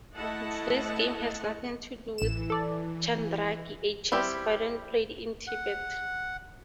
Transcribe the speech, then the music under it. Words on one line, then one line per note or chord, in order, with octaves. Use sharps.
This game has nothing to do with Chandraki, a chess variant played in Tibet.
A3 E4 D#5 F#5 A5
A1 E3 E7
A4 D5
G3 C4 E4 G4
F#5